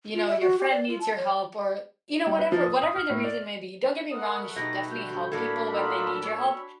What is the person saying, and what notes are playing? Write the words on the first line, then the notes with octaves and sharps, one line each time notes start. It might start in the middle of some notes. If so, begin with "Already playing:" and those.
you know, your friend needs your help or you know, whatever whatever the reason may be, don't get me wrong, you should definitely help people when they need your help,
F4
E5
F#4
G4
D5
F4
A5
C#5
G3
B4
F3
D#6
D#6
F6
A2
D5
A3 A#4 B4 F#5 D#6
B2 D#4 G4 G#4 A#6
D3 G3 F#4 G6
A2 A#3 D4 F#4 A4 B5 G#6
B3 D#4 F4 E6
C#4 C#5